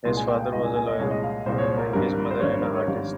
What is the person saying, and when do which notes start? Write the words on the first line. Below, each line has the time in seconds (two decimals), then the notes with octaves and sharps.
His father was a lawyer, and his mother an artist.
0.05 C2 A#2 G#3 C6
0.17 G#5
0.29 G5
0.41 F5
0.52 C2 A#2 G#3 D#5
0.65 G#5
0.76 G#5
0.88 D#5
0.99 C2 A#2 G#3 C#5
1.11 D#5
1.23 F5
1.46 C2 A#2 G#3 C5
1.58 C#5
1.62 C5
1.77 A#4
1.93 G#1 G2 G3 A#4
2.31 C5
2.40 G#1 G2 G3 C#5
2.52 C5
2.64 A#4
2.75 C#5
2.87 G#1 G2 G3 F5